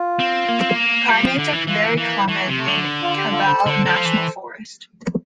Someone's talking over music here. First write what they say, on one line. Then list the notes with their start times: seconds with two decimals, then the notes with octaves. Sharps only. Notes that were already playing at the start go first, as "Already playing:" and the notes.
Primates are very common in Kibale National Forest.
Already playing: F4
0.20 C4
0.49 A#3
0.59 C4
0.69 A#3
1.09 G3 F4
1.23 F3
1.38 D3 E4
1.53 E3
1.68 E3 F4
1.97 E3 A#3
2.28 E3 A3
2.48 C3
2.57 A3
2.67 D3
3.02 F4
3.17 G4
3.31 F4 A4
3.46 A4 C5
3.66 D3
3.86 D3
3.96 F3
4.05 E3